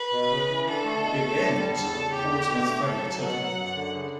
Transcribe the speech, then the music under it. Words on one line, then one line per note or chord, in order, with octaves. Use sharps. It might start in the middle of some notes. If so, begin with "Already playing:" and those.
It ends at the Portsmouth ferry terminal.
Already playing: B4
B2
C#3
E3
D3 A4
A3
B2
A3
D3
G3
E2 A4
C#3
E2 G4
D3
B2
A3
C#3 A4
F#3
B2 F#5
F#3
F#2
D3
C#3